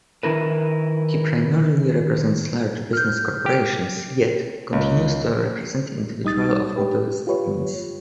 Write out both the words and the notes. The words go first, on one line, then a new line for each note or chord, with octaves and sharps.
He primarily represents large business corporations, yet continues to represent individuals of modest means.
D#3 E4 A#4 B4
F6 G6
G4
C#2
C2 G3 D#4 D#6 A6
D4 G4 B4
F4 G4 B4 C#5